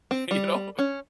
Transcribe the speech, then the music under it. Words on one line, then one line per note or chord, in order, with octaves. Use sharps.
you know?
C4
G3
C#4